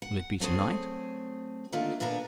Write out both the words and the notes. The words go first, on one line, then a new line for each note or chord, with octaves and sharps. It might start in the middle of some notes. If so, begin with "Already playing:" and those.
"Will it be to-night?"
F#5
F#3 A3 C4 G#4
D3 D#3 A3 A#3 F4
A#2 B3 D4 A#4 B4 A#5